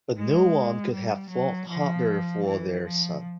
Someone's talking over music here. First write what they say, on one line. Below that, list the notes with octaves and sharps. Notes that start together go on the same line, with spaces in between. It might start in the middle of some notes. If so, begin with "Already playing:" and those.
But no one could have fought harder for their son.
G#3
G3
F#3
F3
E3
F3